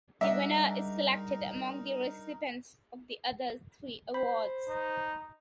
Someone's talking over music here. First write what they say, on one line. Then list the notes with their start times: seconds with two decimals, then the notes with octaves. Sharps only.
The winner is selected among the recipients of the other three awards.
0.21 G3 G#3 D4 D#4 A#4 D#5 E5 F#5
4.14 C5 B5
4.69 D#4